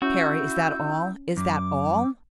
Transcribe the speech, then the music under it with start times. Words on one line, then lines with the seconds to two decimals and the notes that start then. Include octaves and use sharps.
"Parry, is that all?--is that all?"
0.02 C#4 E4 F#4 E6 G6
1.37 F#2 D6